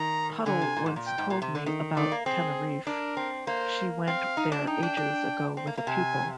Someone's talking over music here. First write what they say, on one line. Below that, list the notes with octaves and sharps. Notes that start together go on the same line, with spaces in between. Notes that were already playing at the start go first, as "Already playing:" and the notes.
Puddle once told me about Teneriffe, she went there ages ago with a pupil.
Already playing: D#3 A#5
D3 G#5
C3
A#2
G#2
A#2
G5
G#2
A#2
C3
D3
D#3
D#3 D5
A#3
C4 G#4
D4 A#4
C4
A#3 C5
C4 F5
D#4
D4
D#4 G5
D4
D4
C4
A#3
A#3
C3 G#5